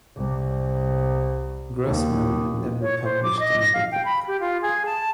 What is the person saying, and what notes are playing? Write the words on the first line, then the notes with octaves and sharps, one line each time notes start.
Grossman never published another book.
C2
D#2
C#5
C5
D6
D#5
A#6
F5
G5
B5
G4
F4
G#4
A5